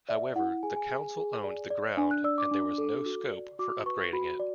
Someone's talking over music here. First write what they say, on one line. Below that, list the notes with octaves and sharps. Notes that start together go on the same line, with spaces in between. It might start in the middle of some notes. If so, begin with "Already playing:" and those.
However, the council owned the ground and there was no scope for upgrading it.
D5 E5
E4 F#5
F#5
G#4 G#5
G#5
G#4
G#4
D5
D5
D4 G#5
F#6
D5 E6
D6
D4
A4
F#4
D5
F#4 D6
B4 C#6
F#4 B5
D5